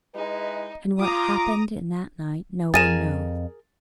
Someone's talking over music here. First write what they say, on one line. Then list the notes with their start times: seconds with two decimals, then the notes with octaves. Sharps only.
And what happened in that night no one knows.
0.15 G#3 D#4 E4 B4
0.99 F4 A#5 D6 D#6
2.74 F2 G#4 A#4 A6 D#7 E7